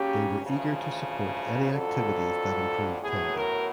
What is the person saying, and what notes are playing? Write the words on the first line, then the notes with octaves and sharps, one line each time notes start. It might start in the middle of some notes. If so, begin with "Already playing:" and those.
They were eager to support any activities that improved Tenby.
Already playing: C#3 F#3 A#3 C#4 G4
D2 C#3 F3
F2 D3 F#3 A4
A2 F#3 B3 G#4
A#4